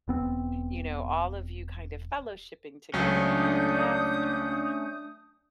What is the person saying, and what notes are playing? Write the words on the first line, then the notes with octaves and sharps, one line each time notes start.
you know, all of you kind of fellowshipping together, and the laughter
E1 B3 C4
C#2 F#3 A3 C#4 D4 D#6 G6